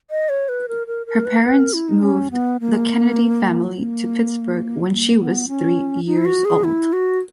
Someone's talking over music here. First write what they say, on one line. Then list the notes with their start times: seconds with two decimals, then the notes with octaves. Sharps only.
Her parents moved the Kennedy family to Pittsburgh when she was three years old.
0.10 D#5
0.29 C#5
0.49 B4
0.68 A#4
0.87 A#4
1.07 A#4
1.26 B4
1.38 A#4
1.44 B4
1.59 A#4
1.73 E4
1.88 D#4
2.03 C#4
2.31 B3
2.60 A#3
3.76 A#3
4.91 A#3
5.20 B3
5.48 C#4
6.07 D#4
6.18 E4
6.25 F#4
6.45 G#4
6.64 E4
6.93 F#4